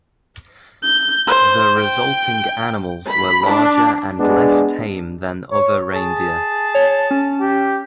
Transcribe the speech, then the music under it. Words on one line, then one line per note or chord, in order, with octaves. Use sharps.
The resulting animals were larger and less tame than other reindeer.
G6
C5
G5
B5
D4
G#3 B3 D4
C#5
G#4 A5
C#5
C#4
G4